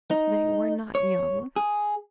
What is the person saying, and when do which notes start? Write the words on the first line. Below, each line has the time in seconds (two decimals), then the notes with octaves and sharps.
They were not young.
0.11 D#4
0.95 C#5
1.56 G#4